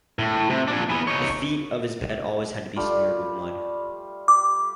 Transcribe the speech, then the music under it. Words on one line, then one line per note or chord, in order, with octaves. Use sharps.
The feet of his bed always had to be smeared with mud.
A2
C3
A#2 D4
E3 B3
D#4 C#5
G3 A3 F4
G4 D6